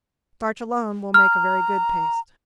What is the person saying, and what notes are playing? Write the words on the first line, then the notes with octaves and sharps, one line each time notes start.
Starch alone will make a very good paste.
A#5 F6